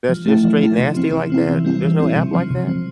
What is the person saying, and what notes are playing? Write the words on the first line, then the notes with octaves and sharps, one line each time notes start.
that's just straight nasty like that, there's no app like that?
F3
A3 E4
F3
A3 E4
C3
F3 C4 E4
C3
F3 C4 E4
E3
G3 C4 E4
E3
G3 C4 E4
C3
F3 C4
C3
F3 C4